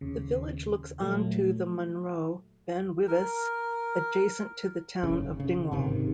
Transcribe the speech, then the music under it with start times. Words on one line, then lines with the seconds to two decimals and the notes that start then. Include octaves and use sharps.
The village looks onto the munro Ben Wyvis, adjacent to the town of Dingwall.
0.01 D#2 C#3
1.00 A#2 F#3 A3
3.08 A#4
5.03 F#1 C#3
5.40 C#3
5.72 G#1 C3 D#3